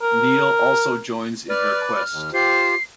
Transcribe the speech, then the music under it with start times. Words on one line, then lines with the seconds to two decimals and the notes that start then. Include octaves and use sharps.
Neel also joins in her quest.
0.02 A#4
1.49 B4 D5 F6
1.96 F6
2.12 D#2
2.33 F4 G4 C5 C7